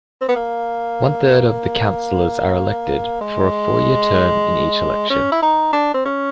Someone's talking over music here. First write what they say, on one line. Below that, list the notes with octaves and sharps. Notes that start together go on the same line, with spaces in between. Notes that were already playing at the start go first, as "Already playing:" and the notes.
One third of the councillors are elected, for a four-year term, in each election.
C4
B3
A#3
G#3
C#4
E4
D#4
D4
C4
C#4